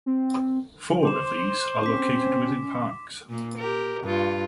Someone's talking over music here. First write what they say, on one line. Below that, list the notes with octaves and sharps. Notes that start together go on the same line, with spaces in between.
Four of these are located within parks.
C4
C5 C6 D6 E7
C4 C#4 D6 B6
A#2 A#3
G4 A#4
G2 F4